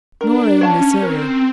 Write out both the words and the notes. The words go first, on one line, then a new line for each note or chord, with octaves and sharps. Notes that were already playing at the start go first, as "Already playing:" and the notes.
Nor only so.
D4 A#4
C#4 C#5 F5 A5
C4 A#4